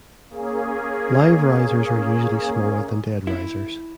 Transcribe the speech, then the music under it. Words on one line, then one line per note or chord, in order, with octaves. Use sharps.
Live risers are usually smaller than dead risers.
A#3 C#4 G#4
E4